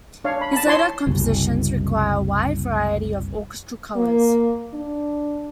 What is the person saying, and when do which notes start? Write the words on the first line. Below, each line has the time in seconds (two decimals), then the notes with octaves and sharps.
His later compositions require a wide variety of orchestral colours.
0.24 D4 C#5 F5
0.41 B5
0.53 A5 B5
0.66 E4 C#5 A5 C6
1.07 F#1 C2
3.96 A#3
4.73 D4